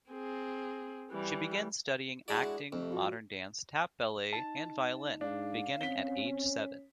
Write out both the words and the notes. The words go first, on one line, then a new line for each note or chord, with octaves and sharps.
She began studying acting, modern dance, tap, ballet and violin, beginning at age seven.
C4 G#4
E3 G3
G#3 D4 E4 F#4 G#4 D5
F2 C3 A3 C4
F4 F#4 A4
D#4 A5
G#2 D4 F5
C4 C#4 B6 G7